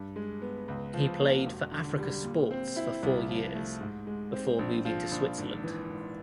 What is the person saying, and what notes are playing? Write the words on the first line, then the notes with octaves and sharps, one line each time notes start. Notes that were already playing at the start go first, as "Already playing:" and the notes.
He played for Africa Sports for four years before moving to Switzerland.
Already playing: G2
G#3
B3
C#2
F3
A#3
E1
D3
G3
A#2
C4
E4
C2
F3
A3
G#2
G#3
C4
A#1
F3
A#1
G#1
E3
G#1